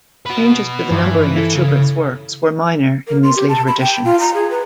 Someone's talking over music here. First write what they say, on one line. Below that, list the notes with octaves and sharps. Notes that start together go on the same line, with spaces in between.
Changes to the numbering of Schubert's works were minor in these later editions.
F#4 B4
G2 E3 F3
E4 A4
C#3
A#4
C6
G4
A5
B5
G5
F4
A#5
G#4
B4